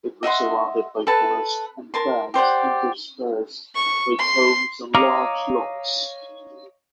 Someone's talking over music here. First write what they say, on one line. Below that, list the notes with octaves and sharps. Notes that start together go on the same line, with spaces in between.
It is surrounded by forests and farms interspersed with homes on large lots.
D#5 E5 F#5 C6
A4 B4 A5
A#4 A5 C6
G4 C5 D5 F#5
C#6
C6
C#5 D#5 F5 A#5 D6